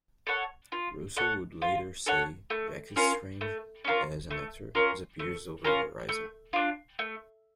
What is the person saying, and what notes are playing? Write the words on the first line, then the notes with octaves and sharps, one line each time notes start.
Russell would later say Jacqui's range as an actor disappears over the horizon.
A4 C#5 F#5
F4
A4 C#5 F#5
F4
A4 C#5 F#5
A3
C#4 F4 A#4
A3
C#4 F4 A#4
A3
C#4 F4 A#4
A3
C#4 F4 A#4
A3
D4 F4
A3